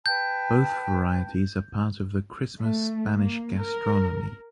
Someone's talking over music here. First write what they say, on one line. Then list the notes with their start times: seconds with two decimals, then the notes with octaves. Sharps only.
Both varieties are part of the Christmas Spanish gastronomy.
0.06 B4 G5 A5 G6
2.58 A3
3.20 A#3
3.57 A#4